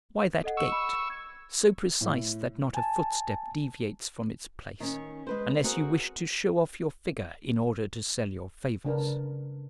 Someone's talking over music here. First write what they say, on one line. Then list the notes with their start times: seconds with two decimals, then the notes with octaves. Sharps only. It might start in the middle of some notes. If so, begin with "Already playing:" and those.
Why that gait, so precise that not a footstep deviates from its place, unless you wish to show off your figure in order to sell your favors?
0.44 A4 D#5 F#5
0.57 C#6 E6
0.72 B5
1.10 G#6
2.01 A2
2.75 G#5 A5
4.80 D#3 C#4
5.27 G#3 B4 C5
5.64 C4 F#4 G#4 A#4
8.85 C#3 D4 A#4 B4